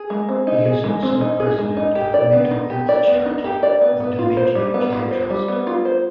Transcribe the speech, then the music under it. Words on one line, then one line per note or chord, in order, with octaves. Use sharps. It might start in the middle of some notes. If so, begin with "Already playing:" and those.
He is also President of mental health charity The Dementia Care Trust.
Already playing: G#4
G#3
C4
D#4
G#4
G#3
C4
D#4
G#4
G#3
D#4
G4
D5
B3
D#4
G4
D5
B3
D#4
G4
D5
B3
B3
F4
C5
G3
B3
F4
C5
G3
B3
F4
C5